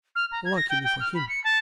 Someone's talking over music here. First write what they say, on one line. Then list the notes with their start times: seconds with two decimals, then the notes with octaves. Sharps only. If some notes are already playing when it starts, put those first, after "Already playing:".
Luckily for him.
0.15 F6
0.32 A#5
0.45 G#6
0.56 A#6
0.69 G5
0.84 G5
1.00 F6
1.15 B5
1.29 C#7
1.44 A5